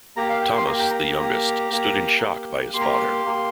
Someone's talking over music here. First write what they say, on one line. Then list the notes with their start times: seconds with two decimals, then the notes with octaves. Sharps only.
Thomas, the youngest, stood in shock by his father.
0.17 A#3 G4 A#5
0.29 F5
0.42 G5
0.55 C6
0.68 A#3 G4 A#5
0.79 G5
0.91 A#5
1.19 A#3 G4
1.71 A#3 G4
2.22 A#3 G4
2.73 A#3 G4 C6
2.81 A#5
2.91 C6
3.25 A#3 G4